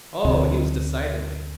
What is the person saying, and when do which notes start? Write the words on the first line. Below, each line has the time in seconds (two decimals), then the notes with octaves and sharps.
"Oh, he was, decidedly."
0.25 D2 C3